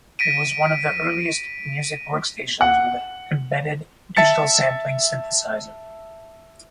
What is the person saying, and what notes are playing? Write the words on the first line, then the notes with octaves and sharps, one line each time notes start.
It was one of the earliest music workstations with an embedded digital sampling synthesizer.
A#6 B6 D7 D#7
F#5
E5 A5 A6 C#7